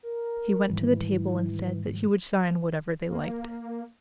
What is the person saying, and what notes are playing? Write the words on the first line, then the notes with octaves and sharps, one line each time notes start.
He went to the table and said that he would sign whatever they liked.
A#4
G#2 D#3 E3 G3
A#3